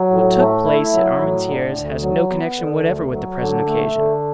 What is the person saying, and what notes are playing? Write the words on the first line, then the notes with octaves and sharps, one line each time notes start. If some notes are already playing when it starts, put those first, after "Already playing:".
What took place at Armentieres has no connection whatever with the present occasion.
Already playing: F#3
A2
A3
E4
F#3
A2
D3
D2
F#3
B3
D3
D2
F#3
D3
A3
D3